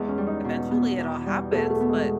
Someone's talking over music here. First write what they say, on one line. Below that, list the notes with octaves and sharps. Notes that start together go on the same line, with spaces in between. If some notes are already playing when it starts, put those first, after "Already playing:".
eventually, it all happens, but
Already playing: E2 G#3
C#4
G3
D#4
B2
B3
E2
G3
B2 A3
A3
B3
G#3